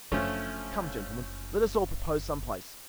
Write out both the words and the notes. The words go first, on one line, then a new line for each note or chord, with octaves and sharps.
Come, gentlemen, let us all propose some place.
F#1 F3 A3 C#4 D4